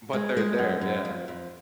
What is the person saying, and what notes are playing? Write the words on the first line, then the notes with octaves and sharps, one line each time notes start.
But they're there, yeah.
G#3
G#3
F#2
F#2
F2
F2